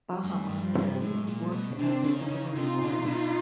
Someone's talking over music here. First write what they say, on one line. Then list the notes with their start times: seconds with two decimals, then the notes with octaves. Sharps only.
Bahamontes worked as a delivery boy.
0.23 F#2 G3 A3
0.49 G2
0.62 F3 G3
0.75 G2
1.01 A2 F#3 G#3
1.27 A#2
1.39 G3 A3
1.52 B2
1.78 C3 C4 D4
2.04 C#3
2.17 C#4 D#4
2.30 C#3
2.56 C3 D#4 F4
2.82 B2
3.07 B2